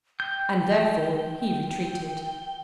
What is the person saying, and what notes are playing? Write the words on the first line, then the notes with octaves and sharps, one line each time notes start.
And therefore he retreated.
G5 G6